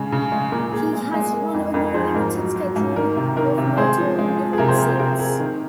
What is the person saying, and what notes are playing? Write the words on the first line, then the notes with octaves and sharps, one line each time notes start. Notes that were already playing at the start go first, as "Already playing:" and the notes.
He has run a more limited schedule of no touring events since.
Already playing: C#3 G#3 G#4
C#3
G#3
A#2 A#4
A#2 G#4
G#3
G#3
A#3
F2
F2 A#4
F3 G#4 C5
G#2 A#4
F#3
F#3
G#2
D#3 A#4
C3
D#3 A#4
C3
G#3 G#4 C5
F3
G#3
F3
G#4
C3 A#4
G#4 C5
A#3 A#4
G#4 C5
C3 A#4
A#3 G#4
D#3 A#4